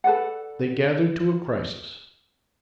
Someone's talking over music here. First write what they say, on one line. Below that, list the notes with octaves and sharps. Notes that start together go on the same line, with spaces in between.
They gathered to a crisis.
A4 B4 D5 F#5